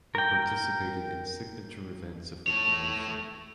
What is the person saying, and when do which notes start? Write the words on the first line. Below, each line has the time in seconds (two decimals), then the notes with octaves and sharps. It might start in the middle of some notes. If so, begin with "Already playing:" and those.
He participated in signature events of the promotion.
0.15 A#4 G5
2.47 A3 C#5